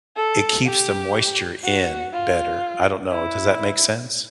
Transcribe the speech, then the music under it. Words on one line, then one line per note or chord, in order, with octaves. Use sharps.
it keeps the moisture in better. I don't know, does that make sense?
A4
G4
F#4
F4
E4